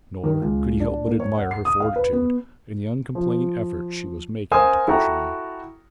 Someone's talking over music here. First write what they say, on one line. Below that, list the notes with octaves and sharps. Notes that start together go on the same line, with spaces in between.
Nor could he help but admire her fortitude and the uncomplaining effort she was making to push on.
D#3
C#2
D4
A#3
C#5
F#5
C7
D#6
F5
B4
B3
F3
A#4 C5 F5 G#5 D#6 E6
E4 F#4 A4 G5 A#5